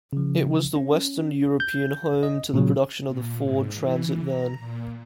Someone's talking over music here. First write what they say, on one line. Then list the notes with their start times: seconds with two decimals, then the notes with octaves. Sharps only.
It was the western European home to the production of the Ford Transit van.
0.13 C#3 F3
0.76 C#4
1.60 G6
2.23 D#5
2.54 A#2 C#3 F#3
3.06 A#2
3.42 G#2
3.74 E3
4.21 A#5
4.58 A#2